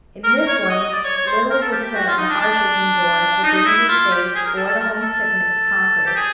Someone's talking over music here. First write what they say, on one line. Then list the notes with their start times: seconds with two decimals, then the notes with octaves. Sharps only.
In this one little was said of the hardships endured, the dangers faced, or the homesickness conquered.
0.24 A#4
0.36 A#4
0.47 C#5
0.59 C#5
0.69 D#5
0.82 D#5
0.92 D5
1.04 C#5
1.16 C#5
1.27 C5
1.50 A#4
1.62 A4
1.72 G4
1.84 G4
1.95 F#4
2.07 F4
2.17 D#4
2.29 D4
2.41 D4
3.44 D#4
3.65 E4
3.89 F4
4.11 G4
4.35 G#4
4.45 A#4
4.57 A4
4.69 A4
4.80 A#4
5.02 A4
6.06 G4
6.16 G#4